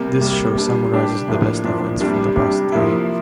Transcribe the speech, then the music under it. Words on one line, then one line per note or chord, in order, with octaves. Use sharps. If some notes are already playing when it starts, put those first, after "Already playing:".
This show summarizes the best events from the past day.
Already playing: C3 G3 A#3
C3 G3 A#3
G3 D4 G4
G3 D4 G4
A2 F3 A#3 D4
A2 F3 A#3 D4
C3 G3 D4 G4
C3 G3 D4 G4
F3 A#3 E4